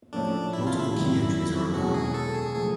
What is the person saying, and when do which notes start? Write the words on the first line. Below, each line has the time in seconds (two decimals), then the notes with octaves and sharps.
Multiple key entries are allowed.
0.13 A2 F3 A3 C#4 D4
0.53 E4
0.67 F4
0.80 E4
0.93 G#1 F#2 D#3 G3
1.74 E2 B2 G#3 C#4 F#4
1.94 G#4
2.14 A4
2.34 G#4
2.54 C#3 F3 A3 G#4